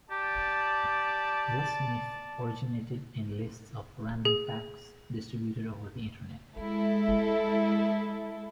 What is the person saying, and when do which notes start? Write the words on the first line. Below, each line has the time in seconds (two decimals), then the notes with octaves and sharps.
This myth originated in lists of "Random Facts" distributed over the Internet.
0.11 G4 D5 A5
4.25 G#4
6.57 G#3 E4 A4